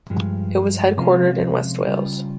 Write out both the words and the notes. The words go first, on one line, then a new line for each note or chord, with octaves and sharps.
It is headquartered in west Wales.
G2 F3 G#3
C3 F3 G#3 C#4 F4
C#3 G3 C#4 F4